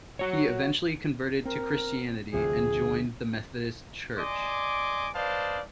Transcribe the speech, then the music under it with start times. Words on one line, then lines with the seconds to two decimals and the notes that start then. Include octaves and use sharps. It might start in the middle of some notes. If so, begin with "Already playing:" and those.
He eventually converted to Christianity and joined the Methodist Church.
0.19 F#4 C#5
1.45 C4 A#4
2.33 D2 C3 F3 G#4
4.18 D5 D#5 G#5 C6 D6
5.14 B4 C5 D5 D#5 F5 A5